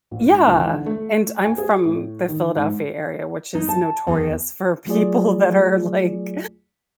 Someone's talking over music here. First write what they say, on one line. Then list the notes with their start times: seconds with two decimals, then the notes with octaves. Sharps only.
Yeah, and I'm from the Philadelphia area, which is notorious for people that are like
0.11 A#1
0.25 G#2
0.47 C#2
0.59 E3
0.73 D3
0.86 A3
1.45 G#5
1.58 G#4
1.85 A2
2.28 D#3
2.56 G#2
3.55 D#4
3.69 A5
4.07 E2
4.87 F#3 A3 F4 G#4 D5